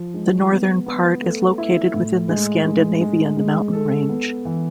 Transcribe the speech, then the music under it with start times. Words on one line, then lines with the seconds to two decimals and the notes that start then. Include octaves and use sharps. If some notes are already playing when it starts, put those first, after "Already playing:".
The northern part is located within the Scandinavian mountain range.
Already playing: F3
0.14 G#3
0.50 B3
0.86 B3
1.22 A3
1.58 E4
1.94 A2
2.29 G#3
2.66 G#3
3.01 G#3
3.37 G#3
3.73 A4
4.09 B3
4.45 E3